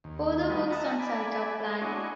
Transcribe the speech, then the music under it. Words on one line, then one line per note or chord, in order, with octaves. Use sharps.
Further works on site are planned.
D#2
G3 A3 F#4 B4 D#5
E5 F#5 A5 A#5 D#6
D5 G#5 B5
D4 E4 F#4 C#5 D#5 G#5